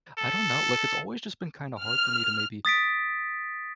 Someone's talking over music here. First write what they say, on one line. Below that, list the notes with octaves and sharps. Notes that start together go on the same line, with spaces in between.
I don't know. Like, it's always, just, been, kinda, hard for me to, maybe,
A4
F6
D#6 A6 B6 D7